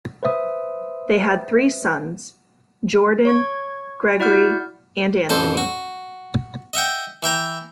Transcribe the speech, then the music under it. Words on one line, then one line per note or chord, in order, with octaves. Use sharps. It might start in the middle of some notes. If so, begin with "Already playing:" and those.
They had three sons, Jordan, Gregory and Anthony.
B4 C5 E5 D#6
C#5 C#6 G#6
E4 F#4 D5 F#5 F6 G6
A1 F2 A4 B4 C5
F#4
D#5 E5 F#5 G5
E3 E5 G5 A#5